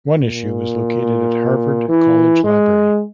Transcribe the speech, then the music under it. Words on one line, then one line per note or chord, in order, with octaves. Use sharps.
One issue is located at Harvard College Library.
A#2
E3
G#3